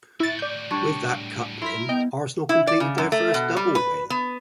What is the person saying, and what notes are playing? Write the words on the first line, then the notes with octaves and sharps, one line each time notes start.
With that Cup win, Arsenal completed their first Double win.
A2 E4 F#4 A6
D5 G6
G3 D4 C#5
E4 A#4 C6 B6
B3 D#5 G5
E4
D5
C#3
F#2
A3
B2
G3
B4
B3